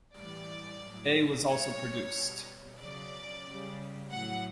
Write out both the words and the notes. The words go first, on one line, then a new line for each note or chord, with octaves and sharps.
A was also produced.
A2 E3 G3 D5
A2 F#3
B2 G3 C#5
B2 G3
C#3 F#3 D5
C#3 G3
A2 F#3 F#5